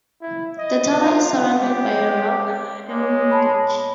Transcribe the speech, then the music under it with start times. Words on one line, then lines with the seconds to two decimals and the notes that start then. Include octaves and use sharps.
The tower is surrounded by a rock-hewn ditch.
0.21 E4
0.58 D#5
1.00 F4
1.57 G#3 C#4 G4 F5
2.11 D5
2.89 G#3 C#5 D6
3.31 A#2 A5 B5